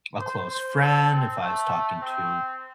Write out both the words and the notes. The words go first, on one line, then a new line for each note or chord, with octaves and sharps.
a close friend, if I was talking to
C5
C5
A4
C4
A3
C4